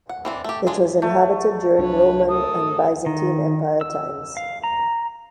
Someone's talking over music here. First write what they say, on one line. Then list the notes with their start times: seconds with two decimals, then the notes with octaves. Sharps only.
It was inhabited during Roman and Byzantine Empire times.
0.09 F#5
0.25 E3 C4 D4
0.44 A3 G4
0.67 G#3 D4 F4
1.02 A3
1.79 C2 F#3 D4 B4 C#5
2.29 A4 A#4 D#6
3.06 D#3
3.81 E6
4.37 F5
4.63 A#5